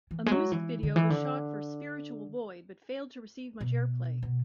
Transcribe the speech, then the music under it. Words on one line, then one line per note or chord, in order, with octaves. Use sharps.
A music video was shot for "Spiritual Void" but failed to receive much airplay.
E3
G#3
F#3
E3
D3
E3
D3
B2
B2